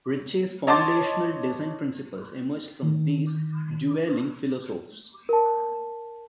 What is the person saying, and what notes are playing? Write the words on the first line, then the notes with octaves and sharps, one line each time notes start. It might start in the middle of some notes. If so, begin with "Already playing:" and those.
Ritchey's foundational design principles emerged from these dueling philosophes.
C#5 D#5 A5 C6 D6 A6
D#3
A#4 A5